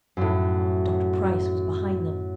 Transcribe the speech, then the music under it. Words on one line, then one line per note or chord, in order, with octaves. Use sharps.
Dr. Price was behind them.
F#2 A2